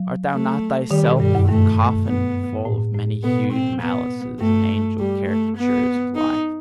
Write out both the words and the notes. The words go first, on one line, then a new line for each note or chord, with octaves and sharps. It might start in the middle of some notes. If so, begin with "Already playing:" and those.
Art thou not thyself the coffin full of many-hued malices and angel-caricatures of life?
Already playing: F#3
A3
D#3 G3
B2
G2 G3
F#2
G2 A3
B3
A2
A2
B2 B3
C4
B3
G2 A3
G3
A3
B3
D#4